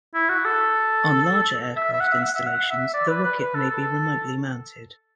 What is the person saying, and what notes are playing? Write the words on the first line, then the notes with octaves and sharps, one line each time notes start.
On larger aircraft installations the rocket may be remotely mounted.
E4
F#4
A4
E5
E5
F#5
E5
F#5
E5
F#5
E5
D5
B4
B4
B4
A4
A4